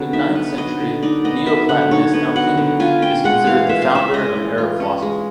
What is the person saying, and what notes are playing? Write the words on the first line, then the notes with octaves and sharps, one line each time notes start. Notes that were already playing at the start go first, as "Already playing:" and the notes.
The ninth-century Neo-Platonist Al-Kindi is considered the founder of Arab philosophy.
Already playing: D3 F#3 B3
D#4 E5
B3
F#3 D#5
D3
D#4 D5
B3 D#5
F#3 E5
D3 F#5
D#4 C#5
B3
F#3 F#5
D3
F4 G#5
C#4 G5
G#3 F#5
E3 F5
F4 E5
F5
C#4 E5
G#3 D#5
E3
F4
C#4
G#3